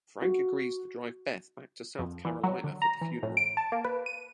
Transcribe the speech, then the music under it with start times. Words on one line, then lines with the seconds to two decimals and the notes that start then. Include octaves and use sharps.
Frank agrees to drive Beth back to South Carolina for the funeral.
0.22 F#4
1.99 F2
2.25 E3
2.44 F#3
2.64 D3
2.82 A#5
3.01 E3
3.23 A2
3.37 D7
3.57 A5
3.72 A#3
3.85 B4
4.06 D#7